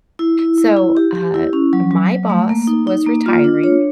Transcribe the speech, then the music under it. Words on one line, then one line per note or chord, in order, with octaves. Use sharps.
so, uh, my boss was retiring,
E4
E4
E4
E4
G4
G4
E4
C#4
F#3
F#3
F#3
A3
A#3
D#4
D#4
A#3
F4
D4
C#5